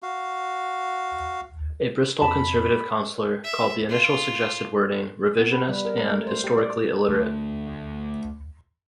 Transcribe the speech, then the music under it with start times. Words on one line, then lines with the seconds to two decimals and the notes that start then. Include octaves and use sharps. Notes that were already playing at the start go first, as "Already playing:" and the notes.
A Bristol Conservative councillor called the initial suggested wording "revisionist" and "historically illiterate".
0.03 F#4 F5
2.22 F2 A5 B5
3.44 E5
3.89 F4
5.39 B3
5.52 B4
5.69 G3
5.85 A#4
5.98 A#4
6.10 A3
6.27 C5
6.44 G4
6.58 D5
7.09 D2 A3